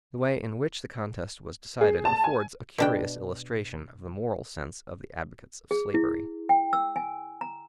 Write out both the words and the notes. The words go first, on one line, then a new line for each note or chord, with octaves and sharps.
The way in which the contest was decided affords a curious illustration of the moral sense of the advocates of slavery.
G#4
A5
G#5
B2 D4 G5
G#4
E4
G5
E6
G#5
A#5